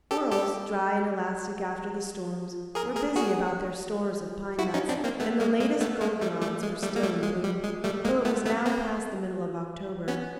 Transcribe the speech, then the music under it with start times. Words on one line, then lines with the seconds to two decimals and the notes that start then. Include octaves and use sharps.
Squirrels, dry and elastic after the storms, were busy about their stores of pine nuts, and the latest goldenrods were still in bloom, though it was now past the middle of October.
0.11 G4 A4
0.31 G4 A4
2.75 G#4 A#4
2.96 G#4 A#4
3.16 F#4 G#4
4.59 E4 F#4
4.74 C#4 D#4
4.89 C4 D4
5.04 A#3 C4
5.20 A3 B3
5.40 G#3 A#3
5.60 G#3 A#3
5.81 A3 B3
6.01 G#3 A#3
6.21 G3 A3
6.41 G3 A3
6.63 G#3
6.83 G3 A3
6.96 A#3
7.03 G3 A3
7.23 G#3
7.44 G3
7.64 G#3
7.84 G3 A3
8.05 G#3 A#3
8.25 A3 B3
8.46 A3 B3
8.66 A#3 C4
10.08 B3 C#4